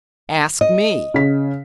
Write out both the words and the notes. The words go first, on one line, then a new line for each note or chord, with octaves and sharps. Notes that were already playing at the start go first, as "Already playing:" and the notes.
"Ask me!"
D#5
C#3 B6